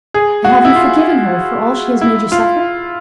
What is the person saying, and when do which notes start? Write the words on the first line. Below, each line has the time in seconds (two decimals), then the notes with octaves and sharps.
"And have you forgiven her for all she has made you suffer?"
0.14 G#4
0.45 F#4
0.65 E4
0.76 F4
2.01 E4
2.32 F4